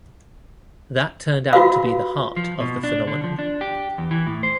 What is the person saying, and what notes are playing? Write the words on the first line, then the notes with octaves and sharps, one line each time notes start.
That turned out to be the heart of the phenomenon.
F4 F#4 B4 F5
F3
B2
D4
D3
F3
D4
G4
E2
E3
A2
C5